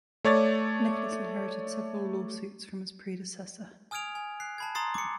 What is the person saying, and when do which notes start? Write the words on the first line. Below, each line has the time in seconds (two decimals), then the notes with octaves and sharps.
Nicholas inherited several lawsuits from his predecessor.
0.24 A3 C#5 D5 A6
3.91 G#5 D#6 F6 G#6 D7 F7
4.15 G#5
4.40 F#6 C7
4.58 A5 B5 G#6
4.75 A#5 C6 D#6 A6 C7
4.94 D6 C#7